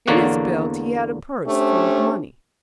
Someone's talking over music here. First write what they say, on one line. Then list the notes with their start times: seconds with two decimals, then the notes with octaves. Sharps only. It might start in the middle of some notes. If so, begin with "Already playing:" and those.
In his belt he had a purse full of money.
0.07 E2 D3 A#3 C#5 D5 F#5
1.46 A3 C#4 D4 G4 C5